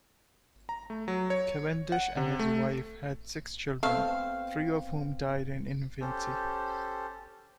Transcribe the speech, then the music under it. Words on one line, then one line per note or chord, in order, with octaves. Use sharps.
Cavendish and his wife had six children, three of whom died in infancy.
A#5
A3
F#3
C#5
F#5
C3
A3
A3 B3 C4 C5 E5 F5
C#4 G4 A4 C5